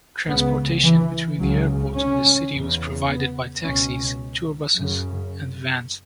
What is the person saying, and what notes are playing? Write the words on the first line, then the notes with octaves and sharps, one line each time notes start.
Transportation between the airport and city was provided by taxis, tour buses and vans.
C#2 C#3 B3
E3
C#2 C#3 F#3
C#4
E2 C#3
B3
C#2 B2 C#4
F#2 C#3